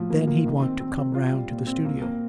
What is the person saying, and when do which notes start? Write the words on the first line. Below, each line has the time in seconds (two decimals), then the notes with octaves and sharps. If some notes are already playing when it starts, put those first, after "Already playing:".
'Then he'd want to come round to the studio.
Already playing: A2 F3
0.10 A#3
0.27 A#3
0.45 D#3
0.62 C4
0.80 C4
0.98 C4
1.14 F4
1.32 G3
1.49 A#2
1.67 C4
1.85 A#3
2.02 A#3